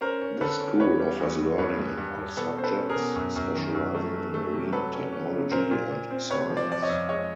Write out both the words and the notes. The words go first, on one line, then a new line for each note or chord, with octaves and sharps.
The school offers learning in all subjects, specializing in marine technology and science.
C#4 A#4 C5
C#4
D3 A4 B4
C#4
E2 B4 C#5
G3
E2
E2
G2 B4 C#5
G2
G2
G2
B2 A4 B4
C#4 C5
A4 B4
C#4
G#4 A#4
B2
F#2
F#2
D#3
F#2
A3
A3
A3
C3
F#3 A4 B4
C#4
C#4
C#3
A#2 A#4 C5
A#2
A#2
C4
C3 B4 C#5
F3
C5 D5
F3 D5
C#5 D#5
F2
G#3 C#5 D#5